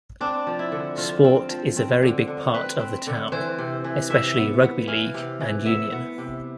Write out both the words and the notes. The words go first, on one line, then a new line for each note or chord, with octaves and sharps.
Sport is a very big part of the town, especially Rugby League and Union.
C4 D4
F3
E4
D3
F3 F4
C4
F3
C4
D3
D3
C4 B4
C4
D3
E3 C5
C3
E3
C3 E5
B3
B3
E3 F5
C3
E3
B3 E5
B3
C3